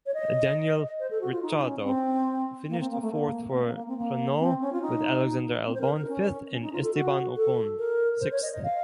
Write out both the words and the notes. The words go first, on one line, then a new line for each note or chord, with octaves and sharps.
Daniel Ricciardo finished fourth for Renault with Alexander Albon fifth and Esteban Ocon sixth.
C#5
D#5
C5
A4
F#4
F4
D#4
C#4
C#4
C4
A#3
C4
A#3
A3
A#3
A#3
C4
A3
A#3
A#3
C4
A#3
C4
C#4
F4
D#4
C4
C5
A#4
A#4
D#4
C#4
C#4
D#4
F4
A4
F#4
A4
A#4
C5
C#5
D#5
D#5
F5